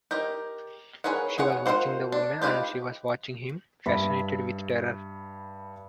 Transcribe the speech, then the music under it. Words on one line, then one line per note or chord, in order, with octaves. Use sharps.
She was watching the woman, and she was watching him fascinated with terror.
G4 A#4 D#5
G#4 A#4 B4 C#5 F#5
B3 G#4 C#5 F#5
D#3 C#4 F4 C5 F#5
D4
F4 G4 B4 D5 D#5
G2 E5 B5